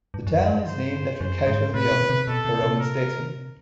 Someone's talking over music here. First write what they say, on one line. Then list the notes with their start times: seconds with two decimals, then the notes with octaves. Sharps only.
The town is named after Cato the Elder, a Roman statesman.
0.14 G2
0.27 F#2
0.40 F#2
0.54 G2
0.67 C5
1.20 F#2 C5
1.47 G#2
1.74 A2 B4
1.92 B2
2.10 C3
2.27 B2 A4
2.45 C3
2.63 C3
2.80 A#4